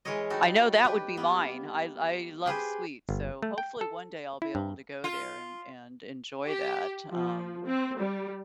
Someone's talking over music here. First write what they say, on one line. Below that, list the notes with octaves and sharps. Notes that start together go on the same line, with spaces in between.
I know that would be mine, I I love sweets, so hopefully one day I'll be able to go there and and enjoy that, um,
E3 G#3 G#4 A#4 C#5 D#5
G3 D#4 F#4 A4
G4 B4
A#3 B3
G4 G#4 B4 C5
G1
A3
G5
A4
E4
G2
F4
G4
F3
C4
G3